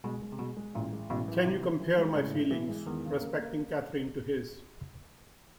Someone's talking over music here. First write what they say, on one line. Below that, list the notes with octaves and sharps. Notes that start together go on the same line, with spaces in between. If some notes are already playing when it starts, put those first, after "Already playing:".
Can you compare my feelings respecting Catherine to his?
B2 G#3
G#3
C3
B2 G#3
G#3
A1 A#2
G#3
A1 B2
E3
C3 E3
E3
E3
G#3
A2 C#3
A1
E3
G#3
E2 D#3
C#3
A#3
A#3